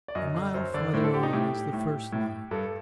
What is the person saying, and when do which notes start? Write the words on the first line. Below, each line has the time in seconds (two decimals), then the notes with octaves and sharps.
A mile farther on is the first line.
0.08 D5
0.15 F#2 D#5
0.35 D3
0.54 F#2 C5
0.74 D3 D5
0.93 A2 C5
1.04 A4
1.14 G4
1.23 D#4
1.33 A2 G4
1.73 A2
2.12 A2
2.51 G2 A4